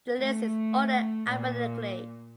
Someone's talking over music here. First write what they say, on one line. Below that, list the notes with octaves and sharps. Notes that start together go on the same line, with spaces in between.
The list is ordered Alphabetically.
A3
A#2